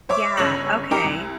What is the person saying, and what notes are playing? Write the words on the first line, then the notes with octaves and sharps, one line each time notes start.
Yeah, okay.
C5 C#5 E5 C#6 D6
G1 C#3 C#5 E6 A#6 F#7
D#4 G4 A#4 A#5 D6
C2